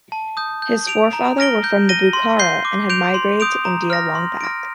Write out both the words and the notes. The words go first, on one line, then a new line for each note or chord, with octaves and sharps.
His forefather were from Bukhara and had migrated to India long back.
A5
D#6 G6
G6
D7 F7
A#5
F6 A#6 D7 G7
G6
A#6 D#7 G7
C6
G6 C7 G7
D6
G6 D7 F7
C6
D#6 G6 D7 F7
A#5
F6 A#6
C6
F6 A#6 D7